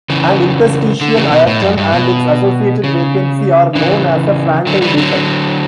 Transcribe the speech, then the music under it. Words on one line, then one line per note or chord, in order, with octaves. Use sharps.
An interstitial atom and its associated vacancy are known as a Frenkel defect.
C#3 E3
D3
C#3 E3
B2
A2
F#2
G2
B2
C#3
C#3 E3
D3 F#3
E3 G3
D3 F#3